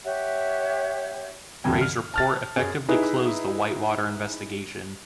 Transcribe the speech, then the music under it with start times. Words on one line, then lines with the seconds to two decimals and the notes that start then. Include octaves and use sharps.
Ray's report effectively closed the Whitewater investigation.
0.05 G4 C#5 E5 F#5
1.64 D2 G2 C3 E3 G5
1.81 F6
2.14 A5 F6 A6
2.56 F#2 G#4
2.89 D#4 E4 G#4 B4